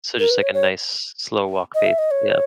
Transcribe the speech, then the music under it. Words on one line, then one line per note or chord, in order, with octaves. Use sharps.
So just, like, a nice slow walk pace, yeah.
A#4
B4
C#5
C#5
D#5
E5
D#5
C#5